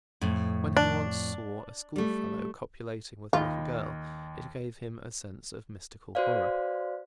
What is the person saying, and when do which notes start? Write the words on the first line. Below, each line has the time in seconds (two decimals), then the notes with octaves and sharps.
When he once saw a schoolfellow copulating with a little girl, it gave him a sense of mystical horror.
0.21 F2 A2
0.77 D4
1.96 G3 A3
3.33 D#2 D#4 F4 B5
6.15 F#4 B4 C5 D5 F5